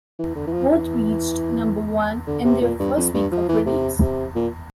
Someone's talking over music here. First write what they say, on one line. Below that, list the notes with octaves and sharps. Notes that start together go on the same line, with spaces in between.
Both reached number one in their first week of release.
E3
D3
E3
F3
E3
D3
C3
A#2
G2
F2
G2
F3
E3
C3
C3
A#2